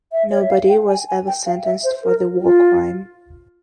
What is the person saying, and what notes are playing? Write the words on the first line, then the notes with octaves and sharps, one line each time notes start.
Nobody was ever sentenced for the war crime.
E5
C#5
E5
F5
G5
G#5
G#5
G5
F5
E5
C5
A#4
F4